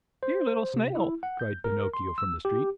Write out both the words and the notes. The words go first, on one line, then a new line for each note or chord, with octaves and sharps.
"Dear little Snail," cried Pinocchio from the street.
C5
C3
E4
F#5
G6
A#4
C6
E6
G4